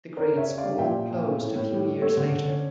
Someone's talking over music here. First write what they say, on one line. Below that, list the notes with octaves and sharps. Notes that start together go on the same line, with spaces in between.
The grade school closed a few years later.
C#4 A#4 D5
C#3
C#5 E5
C#4
D5 F5
G3
A#2 E5 G5
A#2
A#2
A3
A2
A2
G3
G3
A3 A4 C#5
D3
D3
C#4